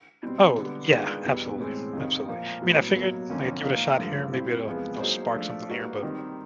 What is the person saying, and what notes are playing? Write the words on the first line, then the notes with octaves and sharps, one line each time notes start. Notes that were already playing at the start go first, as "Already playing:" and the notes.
Oh, yeah, absolutely, absolutely. I mean, I figured I'd give it a shot here, maybe it'll it'll spark something here, but
B2 G3 C4
D3 G3 B3
D#3 G#3 B3 D4 F4
E2 B2 G3
A2 E3 G#3 C4
F2 C3 D#3
A#2 F3 A#3
A2 F#3 B3
B2 F#3 A#3
F2 D3 F3 A#3 C#4
A#2 F3 A#3 D#4
G2 D3 F3 A3
G3 C4 E4
E2 C3 F3 G#3 B3
F#3 A#3 D#4 G#4 C5
F3 A3 D4
G3 A#3 D#4 F#4 B4
D#3 G3 C4 D#4 G4